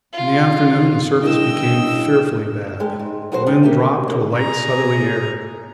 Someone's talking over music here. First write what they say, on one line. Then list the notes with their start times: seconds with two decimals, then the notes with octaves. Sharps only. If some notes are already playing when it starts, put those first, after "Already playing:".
In the afternoon the surface became fearfully bad, the wind dropped to light southerly air.
0.13 F4
1.23 G2 C#3 D4 E4 A#4 D#5 G5 E6
2.80 G2 G#3 G4
2.99 G#2
3.32 D2 F#3 F#4 B4 C5
3.46 C#3 G#3 C4 D4 D#4
3.63 A3 A#3 G4
4.08 C#3 A#3
4.36 G#4 A#5